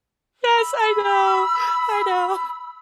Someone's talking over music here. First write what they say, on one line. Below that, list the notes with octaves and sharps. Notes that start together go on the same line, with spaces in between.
Yes, I know, I know.
B5 E6